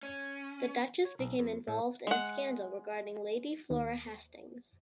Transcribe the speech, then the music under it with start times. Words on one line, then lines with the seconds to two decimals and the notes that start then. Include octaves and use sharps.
The Duchess became involved in a scandal regarding Lady Flora Hastings.
0.03 C#4
1.05 C#5
1.19 B1
1.39 F2
1.68 A2
2.07 G#3 F#5
3.70 D#2